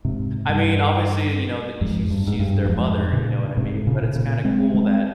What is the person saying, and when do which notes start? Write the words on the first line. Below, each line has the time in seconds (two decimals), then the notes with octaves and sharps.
I mean, obviously, you know th she's she's their mother, you know what I mean? But it's kinda cool that
0.05 G#2 C3
0.49 G2
1.81 F2 G#2
2.10 G2
2.27 G#2
2.40 G2
2.65 G2
2.69 F2 G#2
3.13 A#2 C#3
3.57 G#2 C3
3.87 A#2 C#3
4.15 A#2 C#3
4.45 G#3 C4
4.74 G#3 C4